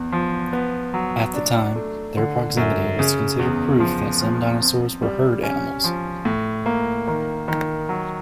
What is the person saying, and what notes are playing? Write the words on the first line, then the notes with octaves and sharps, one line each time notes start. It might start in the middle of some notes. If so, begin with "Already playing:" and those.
At the time, their proximity was considered proof that some dinosaurs were herd animals.
Already playing: E2
F3
B3
F#3
D4
A3
D3
F#2
C#3
E2
F3
F3
C4
G3
C#4
F3
A2
A#3
D#3
D#3
F#3